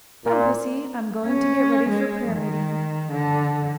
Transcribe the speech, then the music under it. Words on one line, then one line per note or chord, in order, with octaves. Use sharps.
Come, pussy, I'm going to get ready for prayer meeting.
A#2
C#4
G#3
D#3
D3